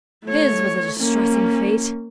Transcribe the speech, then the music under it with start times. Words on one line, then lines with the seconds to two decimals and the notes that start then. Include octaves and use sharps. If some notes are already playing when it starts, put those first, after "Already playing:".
His was a distressing fate.
0.25 A3 C#5
1.00 A#3 C#4